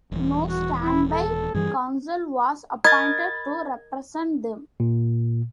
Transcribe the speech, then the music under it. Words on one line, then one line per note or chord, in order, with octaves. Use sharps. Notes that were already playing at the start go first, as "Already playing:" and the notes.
No standby counsel was appointed to represent them.
D#1 E3
F#4
E4
A4
G2 E3 G3 G#4
A#4 D#5 B5 G#6 A6
A#2